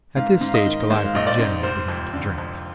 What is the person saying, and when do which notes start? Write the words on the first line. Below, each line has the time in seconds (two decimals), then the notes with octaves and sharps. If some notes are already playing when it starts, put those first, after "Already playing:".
At this stage Calliope generally began to drink.
0.16 G#2 F5
0.41 G#2
0.48 F5
0.54 D#5
0.66 D#3
0.90 G#3 C5
1.05 F5
1.15 A#1 D#5
1.27 D5
1.39 G#2
1.63 F1 C5
1.88 F2
2.13 D3
2.38 F2